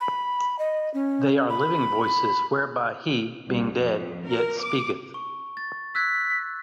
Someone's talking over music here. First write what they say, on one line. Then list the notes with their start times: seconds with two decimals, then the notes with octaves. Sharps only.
They are living voices whereby he, being dead, yet speaketh!
0.01 B5
0.59 D#5
0.94 C#4
1.49 B5
3.47 C2
3.78 F2
4.26 A#4
4.60 D6
5.14 C#6
5.57 A6
5.95 E6 F#6 G#6 B6